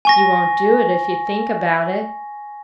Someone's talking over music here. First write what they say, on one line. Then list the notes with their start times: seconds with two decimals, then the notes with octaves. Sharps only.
'You won't do it if you think about it.
0.05 G#5 C#6 A#6